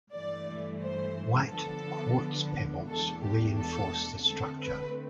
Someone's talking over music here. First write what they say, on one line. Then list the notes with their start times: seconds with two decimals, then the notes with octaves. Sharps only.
White quartz pebbles reinforce the structure.
0.13 G2 E3 A3 D5
0.82 C5
1.51 D3 F3 B3 D4 A4
2.89 E2 B2 A3 D4 A4
3.24 G4
3.58 A4
4.26 D3 A3 C4 A4
4.61 B4